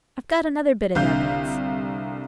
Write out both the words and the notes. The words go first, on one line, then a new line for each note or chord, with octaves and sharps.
I've got another bit of evidence.
C2 D3 F5 G6